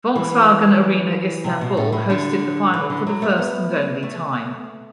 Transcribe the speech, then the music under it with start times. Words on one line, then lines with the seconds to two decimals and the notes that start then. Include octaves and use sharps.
Volkswagen Arena Istanbul hosted the final for the first and only time.
0.16 E3
1.44 C3
1.61 B2
1.77 A2
1.92 A2
2.10 D3
2.74 E3
2.90 D3
3.07 F#3
3.22 A3
3.38 B3
4.03 A3